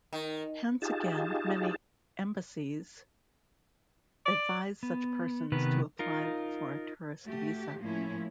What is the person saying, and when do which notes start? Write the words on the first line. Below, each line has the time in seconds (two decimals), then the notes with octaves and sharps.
Hence again, many embassies advise such persons to apply for a tourist visa.
0.13 D#3
0.82 D#4 F4 G4 G#4 A5
4.26 D5
4.83 B3
5.52 C3 D#3 B3 B4
5.99 D#4 F4 A#4
7.25 A3 F#4 G4
7.79 A2 F3 A#3 C#4 E4